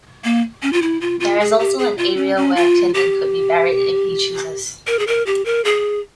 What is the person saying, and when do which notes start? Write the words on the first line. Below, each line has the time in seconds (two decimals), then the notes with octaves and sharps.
There is also an area where Clinton could be buried if he chooses.
0.24 A#3
0.62 C#4
0.73 F4
0.82 E4
1.01 F4
1.20 F4
1.40 G#4
1.59 G4
1.78 G#4
1.98 F4
2.17 C#4
2.37 C#4
2.56 F4
2.94 G4
4.87 A#4
4.99 G#4
5.07 A#4
5.26 G4
5.46 A#4
5.65 G#4